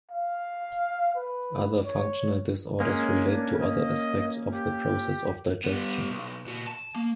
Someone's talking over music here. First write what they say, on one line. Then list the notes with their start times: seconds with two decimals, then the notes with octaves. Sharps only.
Other "functional" disorders relate to other aspects of the process of digestion.
0.11 F5
1.15 B4
1.85 C#5
2.80 G#3 A#3 C#4
3.33 D4
3.61 D#5
4.54 G4
5.64 G3 B3
6.10 B1
6.46 A#2 F#4
6.67 A5
6.96 A#3